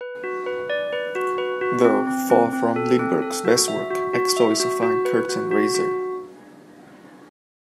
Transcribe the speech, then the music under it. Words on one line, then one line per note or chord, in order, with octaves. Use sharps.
Though far from Lindberg's best work, "Expo" is a fine curtain-raiser.
B4
F#4
B4
D5
B4
F#4
B4
F#4
C4
C4
C4
C4
A4
C4
A4
F#4
E5
F#4
F#4
E5
F#4
F#4
B4
F#4
F#4
F#4